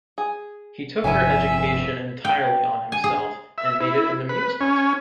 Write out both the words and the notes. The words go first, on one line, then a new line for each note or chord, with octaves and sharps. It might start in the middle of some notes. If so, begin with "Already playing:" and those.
He took her education entirely on himself, and made it an amusement.
G#4
G1 F2 C3 C#4 E4 E5 G#5
G5
G#5
G#4
E5
E4
B4
C#4